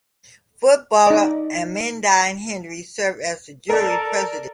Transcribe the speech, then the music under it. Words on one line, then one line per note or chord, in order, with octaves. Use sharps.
Footballer Amandine Henry served as the jury president.
D#4 D5
A4 A#4 D5